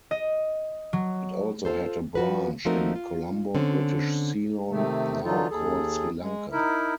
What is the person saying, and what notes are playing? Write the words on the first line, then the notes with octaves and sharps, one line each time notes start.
It also had a branch in Colombo, British Ceylon, now called Sri Lanka.
D#5
F#3
F4 A4 C5
F3 F#4 B4
F3 A3 C4 D#4 F#4 A#4
F4
D3 C4 C#4
C3 D#3 A3
D3 E3 F#3 D#4 F4 A4
D#2 G#4 A4
G#3
D#4 E4 A#4 E5